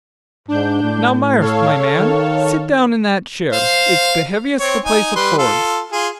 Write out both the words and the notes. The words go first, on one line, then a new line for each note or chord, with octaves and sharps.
Now, Myerst, my man, sit down in that chair--it's the heaviest the place affords.
G#2 D4 G6
A2
A4 C#5 F5
D#3
C5 F5
C4 C#5
D#4 G#5
G3 B4 C6
F4 A4
F4 G#4